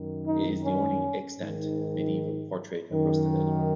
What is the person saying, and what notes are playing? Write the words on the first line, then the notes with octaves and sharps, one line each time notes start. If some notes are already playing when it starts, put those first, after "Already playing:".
It is the only extant medieval portrait of Rustaveli.
Already playing: F#2 D#3
D#4
C#4
G#2 D#3
F#2 D#3